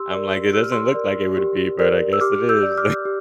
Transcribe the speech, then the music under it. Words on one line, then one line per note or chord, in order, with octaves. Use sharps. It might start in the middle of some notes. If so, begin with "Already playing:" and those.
I'm like, it doesn't look like, it would be, but I guess it is.
Already playing: G4 C6 E6
A#4 D5
G4 E6
F6
C6 E6
A#4 D5
G4
A#4 D5
E6
G4 D6 F6
E6 G6
D5
E6
D6 F6
G4